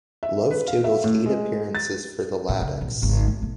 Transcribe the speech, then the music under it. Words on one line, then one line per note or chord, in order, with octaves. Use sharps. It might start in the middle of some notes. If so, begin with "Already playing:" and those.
Love totalled eight appearances for the Latics.
E5
B4
F5
E5
A2
G#3
A6
A2
C#3
B1 A2
G#1 C#2
A3
B1